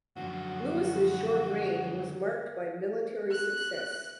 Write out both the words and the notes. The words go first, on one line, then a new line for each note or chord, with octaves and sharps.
Louis's short reign was marked by military success.
F#2 D3 F3 F#4
F#6